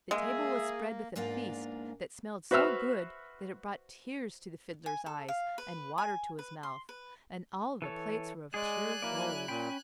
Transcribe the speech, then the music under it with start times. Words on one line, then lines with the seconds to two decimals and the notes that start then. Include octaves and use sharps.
The table was spread with a feast that smelled so good that it brought tears to the Fiddler's eyes and water to his mouth, and all the plates were of pure gold.
0.11 G#3 A#3 G#4 E5
1.16 E2 G#2 A#3 D4 F4
2.51 F#4 B4 C5 E5 E6 F6
4.86 G#5
5.06 A4
5.28 F5
5.58 B4
5.98 G#5
6.39 B4
6.63 C6
6.89 B4
7.82 E3 A4 C#5
8.54 G#3 G#4 D5 G#5 F#6
9.02 F#3 A#3 E4 D5
9.48 A#2 C#4 G5 B5